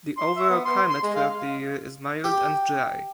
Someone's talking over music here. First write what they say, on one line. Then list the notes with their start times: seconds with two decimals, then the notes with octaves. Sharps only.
The overall climate throughout the year is mild and dry.
0.17 C6
0.36 E5
0.49 B3
0.65 C6
0.90 C6
1.03 G#3
1.15 F5
2.24 G4